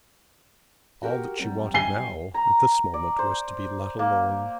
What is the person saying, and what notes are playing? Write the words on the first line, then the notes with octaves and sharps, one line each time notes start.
All that she wanted now, at this moment, was to be let alone!
F#4 G4 A#4
F#3 G3 C4
G#5 C7 G7
A#5
D5
C5
A#3